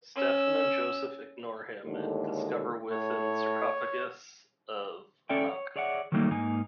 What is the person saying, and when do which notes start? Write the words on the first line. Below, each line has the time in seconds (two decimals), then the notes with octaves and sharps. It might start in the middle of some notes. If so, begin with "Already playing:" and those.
Stephen and Joseph ignore him, and discover within the sarcophagus of Ananka.
0.15 C#4 E6
1.85 D#2 A2 D3 G#3
2.91 A2 C#5
5.29 C#4 A4 D5 E5 G5
5.48 C#5
5.76 G#4 C#5 D5 E5 F#5
6.12 D#3 F#3 G3 A3 A#3 D#4
6.31 G#2 A#3 D#4 G#5